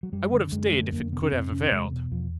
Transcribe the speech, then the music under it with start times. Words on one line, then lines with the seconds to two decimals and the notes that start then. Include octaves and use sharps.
"I would have stayed if it could have availed."
0.03 F#3
0.12 F#2 G3
0.33 D3
0.52 F#2 G#3
0.68 D3 G#3
0.80 A3
0.92 F2 A#3
1.12 C3 B3
1.23 C#4
1.32 F2 C4
1.52 C3 C#4
1.71 E2 G#3
1.91 B2
2.11 E2 F3